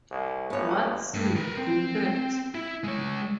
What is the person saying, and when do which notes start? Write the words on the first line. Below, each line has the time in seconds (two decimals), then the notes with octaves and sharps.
Ward C. Gilbert.
0.11 C2
0.50 G1 B3 C#5
1.14 G2
1.36 A#4 B4
1.57 C4
2.55 E4
2.84 G#3 C#5